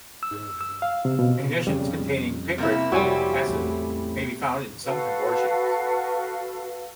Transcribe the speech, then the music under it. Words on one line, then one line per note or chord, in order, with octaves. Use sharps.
Munitions containing picric acid may be found in sunken warships.
E6
E6
F5
C3
B2
F2 C#3 G3
C3 A#3 E4
F1 G3 C4 F#4 C#5 G#5
A1 E2 A3
F#4 A4 B4 F5